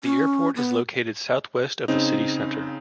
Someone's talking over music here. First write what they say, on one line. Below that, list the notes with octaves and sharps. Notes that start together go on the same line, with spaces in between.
The airport is located southwest of the city centre.
C#4
B3
C#3 C4 D#4